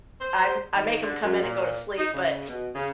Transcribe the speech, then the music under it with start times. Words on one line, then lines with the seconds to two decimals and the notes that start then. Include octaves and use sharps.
I m I make 'em come in and go to sleep, but,
0.21 C5
0.75 D#3
1.03 D3
1.24 F#2
1.42 A#2
1.99 D#4
2.14 C#3
2.49 B2
2.75 C#3